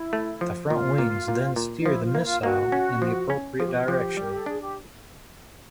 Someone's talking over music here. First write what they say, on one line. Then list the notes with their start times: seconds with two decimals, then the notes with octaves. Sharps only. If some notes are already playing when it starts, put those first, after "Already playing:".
The front wings then steer the missile in the appropriate direction.
Already playing: E4
0.13 A3
0.41 F3
0.70 A#2 F4
0.98 A#2
1.28 A#2
1.56 A#2
1.80 D#4
1.86 F3 E4
2.04 F4
2.15 A#3 E4
2.25 F4
2.43 A#3 F#4
2.72 C#4
3.02 F3
3.30 C#4
3.59 F3 G#4
3.66 G4
3.73 F#4
3.82 G4
3.88 F3
4.17 G3 A#4
4.34 A4
4.46 D4 G#4
4.60 G4